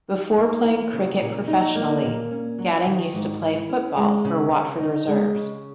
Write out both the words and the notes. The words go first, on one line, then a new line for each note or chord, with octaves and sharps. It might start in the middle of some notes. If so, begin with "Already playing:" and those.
Before playing cricket professionally, Gatting used to play football for Watford reserves.
D#4
A#3
E3
C#3
A#2
D#4
A#3
A#2
C#4
F#3
D#3
G#2
E4
C#4
G#3
C#3
C#3
D#4
G#3
C#3